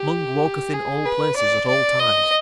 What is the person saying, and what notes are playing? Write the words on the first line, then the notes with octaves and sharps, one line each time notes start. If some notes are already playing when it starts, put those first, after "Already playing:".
Mung walketh in all places at all times.
Already playing: G4
G#4
B4
D5
D5
D#5